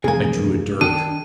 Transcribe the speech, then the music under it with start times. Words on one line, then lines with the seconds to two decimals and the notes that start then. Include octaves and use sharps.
I drew a dirk.
0.04 C2 F2 A2 E3 A#3 G#4 G#5
0.81 D#3 D4 A4 G5 D#7